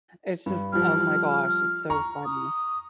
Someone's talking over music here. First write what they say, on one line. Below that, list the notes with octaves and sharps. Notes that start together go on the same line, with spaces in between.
it's just oh my gosh, it's so funny.
G2
F3 G3 F6
A#5 C#6
D#6